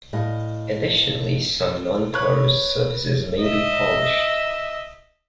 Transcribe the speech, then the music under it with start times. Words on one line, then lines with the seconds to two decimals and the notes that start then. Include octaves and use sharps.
Additionally, some nonporous surfaces may be polished.
0.13 A2 D#5 F5
2.14 B4 C#5 F#6
3.40 D#5 E5